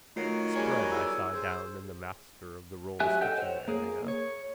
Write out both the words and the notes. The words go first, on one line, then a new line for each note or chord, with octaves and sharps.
Spread I saw down in the Master of the Rolls' kitchen area.
D#3 F#3 A3 F4 C7
G3 G#4 C#5 G#5
E4 G#4 E6
G#4 C5
F#3 G4 E5 G#5 F#6
A4 D#5 F#5 G5 G6
C5 C#5
A#3 G#4
C#5